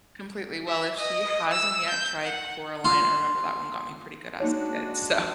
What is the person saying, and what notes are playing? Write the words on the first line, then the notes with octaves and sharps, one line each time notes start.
Completely, well, if she hasn't yet tried Coraline, I remember that one got me pretty good as a kid, so
E5
D#5
E6
G6
F#5
F4
G#3 A#3 D4 D#4 F#4 C#5